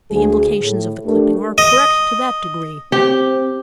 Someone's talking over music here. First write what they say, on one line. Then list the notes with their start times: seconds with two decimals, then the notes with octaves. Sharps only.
The implications of the clipping are correct to that degree.
0.10 D2 G#4
0.61 A2
1.05 A3 D4 G4 A4 A#4
1.58 D#5
2.92 C4 G4